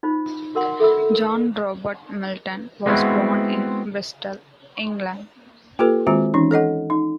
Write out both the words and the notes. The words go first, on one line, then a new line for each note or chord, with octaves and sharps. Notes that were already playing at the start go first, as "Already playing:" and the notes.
John Robert Milton was born in Bristol, England.
D#4 F4 C5
F#4 A#4 F#5 C6
A4 E5 B5 E6
A#4
G#3 B3 C4 D#4 E4 F#4
A#3 F4 G4 A4 B4
D#3 G#3 C4 F4 F#4 A#5
E3 C#4 D#4
A4 C#5 D#5 F#5
D#4